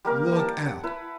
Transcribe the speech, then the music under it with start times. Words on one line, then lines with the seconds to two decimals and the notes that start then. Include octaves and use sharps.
Look out!
0.05 G3 A#3 A#4 D6
0.32 G4 A5
0.66 F#5
0.83 E4 B4 B5